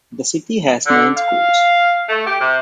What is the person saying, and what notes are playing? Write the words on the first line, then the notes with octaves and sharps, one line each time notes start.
The city has nine schools.
D3
F5
A3
G4
C3